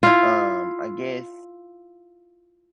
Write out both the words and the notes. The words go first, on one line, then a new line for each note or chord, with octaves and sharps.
um, I guess
E4 F4